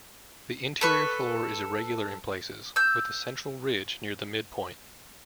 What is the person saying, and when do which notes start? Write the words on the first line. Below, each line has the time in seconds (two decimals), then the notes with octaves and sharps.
The interior floor is irregular in places, with a central ridge near the midpoint.
0.81 A4 B4 C#6
2.76 E6 G6